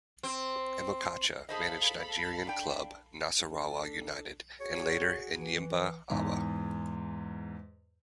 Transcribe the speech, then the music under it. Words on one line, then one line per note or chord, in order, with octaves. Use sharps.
Amokachi managed Nigerian club Nasarawa United and later Enyimba Aba.
C4
G#4 A4 C5 D#5 F5 B5
D4 G5
D4 A4
F#4 G#4 C#5
E3
E2 G#2